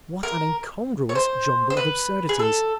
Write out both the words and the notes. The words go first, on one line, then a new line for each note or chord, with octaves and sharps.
What an incongruous jumble of absurdities!
A#4
C#5
C5
C5
B4
G#4
A4